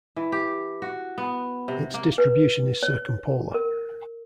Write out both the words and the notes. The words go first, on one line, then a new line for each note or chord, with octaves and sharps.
Its distribution is circumpolar.
E3
G4
F#4
B3
C3
A#3
B4
C#5
A#4